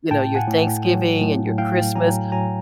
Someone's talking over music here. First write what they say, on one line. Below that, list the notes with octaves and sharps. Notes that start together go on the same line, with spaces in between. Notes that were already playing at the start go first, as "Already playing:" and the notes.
you know, your Thanksgiving and your Christmas,
A2 G5 A5
F#5 G#5
A2
F#3
A2
A2 F5 G5
F#3 G#5 A#5
F#3 G#5 A#5